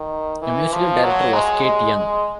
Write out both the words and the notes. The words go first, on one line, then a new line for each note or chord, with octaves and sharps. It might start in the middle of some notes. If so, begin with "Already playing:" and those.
The Musical Director was Kate Young.
Already playing: D#3
E3
F3
F#3
G#3
G#3
G#3